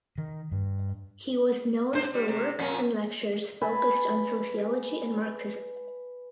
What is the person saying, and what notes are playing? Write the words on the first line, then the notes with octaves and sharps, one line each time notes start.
He was known for works and lectures focused on sociology and Marxism.
D#3
G2
G#2 C5
G3
C3
F2 A#2 C#4
B4 G#5 A5